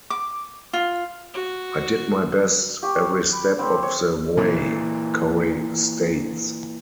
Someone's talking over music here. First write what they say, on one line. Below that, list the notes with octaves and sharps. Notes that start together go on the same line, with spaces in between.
I did my best every step of the way, Corey states.
D6
F4
F#4
G4 C#6
B5
C4 B5
C5 C#5
A#2 E3